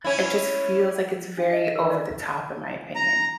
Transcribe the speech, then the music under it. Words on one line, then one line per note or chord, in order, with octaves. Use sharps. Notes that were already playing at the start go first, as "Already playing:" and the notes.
It just feels like it's very over the top in my opinion.
C#4 E4
D4
D#5
A#4
D5
A#5